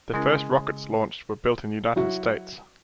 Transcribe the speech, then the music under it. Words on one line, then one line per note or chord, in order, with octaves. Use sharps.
The first rockets launched were built in United States.
C#3 G#3 C#4 E4 A#4
F#3 E4 F#4